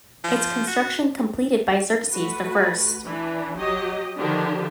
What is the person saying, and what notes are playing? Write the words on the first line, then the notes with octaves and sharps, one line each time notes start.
Its construction completed by Xerxes the First.
F3
F#4
A3 F#4 B4
E3 D4
F#3 G4 D#5
D3 D#3 F3 D4 G4